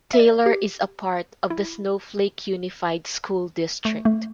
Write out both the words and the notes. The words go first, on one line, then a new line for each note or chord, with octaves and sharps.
Taylor is a part of the Snowflake Unified School District.
E5
D5
G4
E4
A3
A3